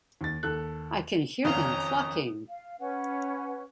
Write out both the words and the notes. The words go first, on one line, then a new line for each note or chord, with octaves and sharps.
I can hear them clucking!
D#2 A6
D#2 A4 F#6
F#1 F2 D#3 C#4 F5 A#5 D#6
F5
C#4 B4 F#5